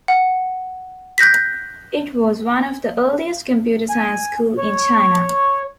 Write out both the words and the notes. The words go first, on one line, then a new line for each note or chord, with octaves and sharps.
It was one of the earliest computer science school in China.
F#5
F#6 G6 A#6 B6
G#5
C#5